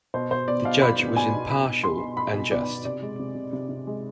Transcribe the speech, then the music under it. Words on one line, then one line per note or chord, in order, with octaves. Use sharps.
The judge was impartial and just.
B2 C5
B2 C5
B3 D5
B2 F5
B2 B5
B3
B3 G#5
B2
B2 B5
B2
B2 C6
B2
B3 B5
B2
B3 D5
B2
C3 D5
G#3
C3
C3
C3
C3
G#3